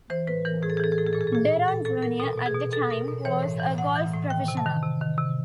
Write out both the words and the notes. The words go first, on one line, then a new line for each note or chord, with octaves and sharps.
Deron Junior at the time, was a golf professional.
E3 C5
A2 B4
E3 A#4
A2 G#4
A4
G#4
E3 A4
G#4
A2 A4
G#4
A#2 A4
G#4
A4
A#2 G#4
A#2
A#2 A4
A#2 A4
A#2 A#4
B2 A4
B2
G#4
B2
B2 A4
B2 A#4
B2
E3 C#5
A2
E3
A2 F#5
E3
A2
D#3 G5
C3
A5
D#3
C3
D#3
C3